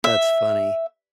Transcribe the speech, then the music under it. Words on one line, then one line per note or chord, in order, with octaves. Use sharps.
That's funny.
E5